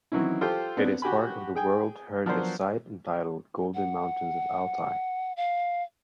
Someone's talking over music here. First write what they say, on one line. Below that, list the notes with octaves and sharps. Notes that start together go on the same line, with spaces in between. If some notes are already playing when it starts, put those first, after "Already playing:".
It is part of the World Heritage Site entitled Golden Mountains of Altai.
D#3 E3 F#3 C4 C#4 E4
F4 G4 A4 C5 G5
B3 C4 D4
F#4 G4 G#5 B5
G#4 G5 G#5
F3 F#3 B3 D4 A#4 C5
F#5
F5